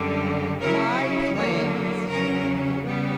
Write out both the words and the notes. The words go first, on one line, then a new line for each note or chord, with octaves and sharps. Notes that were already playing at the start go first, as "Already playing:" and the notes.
"My plans," she repeated.
Already playing: F#2 D3 G3
C#3 F#3 C#4 E4 A#4
E2 D3 F#3 A#3 C#5
E2 C#3 F#3 C#4 A#4
C#3 G3 B3